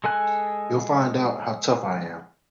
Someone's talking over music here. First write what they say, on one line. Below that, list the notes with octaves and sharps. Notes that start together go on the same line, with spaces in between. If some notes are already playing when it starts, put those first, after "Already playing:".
You'll find out how tough I am.
G#3 A4 G#5 F#6